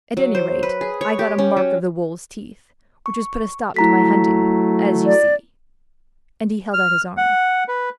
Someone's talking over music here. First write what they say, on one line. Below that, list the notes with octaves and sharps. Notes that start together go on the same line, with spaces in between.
"At any rate, I got a mark of the wolves' teeth, which has put a stop to my hunting, as you see," and he held out his arm.
F#3
C5
B4
G#4
C#5
G4
C#4
F#3
C#6
F#3 A3 E4 A#5 B6
D5
F6
F#5
B4